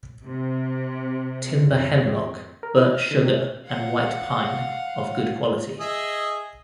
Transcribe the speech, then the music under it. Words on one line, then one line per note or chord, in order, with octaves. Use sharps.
Timber Hemlock Birch Sugar and White Pine of good quality.
C3
F2
A#4
E4
F6
D3
C3
F5 F#5
G#4 D#5 E5